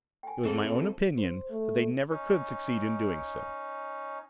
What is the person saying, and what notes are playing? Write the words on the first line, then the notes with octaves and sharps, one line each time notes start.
It was my own opinion that they never could succeed in doing so.
G5 G#5
C4 D#4 G#4 A4
C5
A3
C#4 D#4